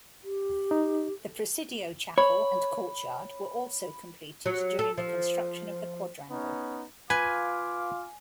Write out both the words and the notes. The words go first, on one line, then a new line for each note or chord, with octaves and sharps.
The Presidio Chapel and courtyard were also completed during the construction of the quadrangle.
G4
D#4
C#5 B5
F#3
A4
F3
B3 C#4 D#4
F4 B4 F5 G#5 D6